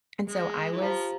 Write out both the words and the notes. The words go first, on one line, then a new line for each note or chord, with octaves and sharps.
and so I was,
G#3
E3
F3 G4 C5 F5 A#5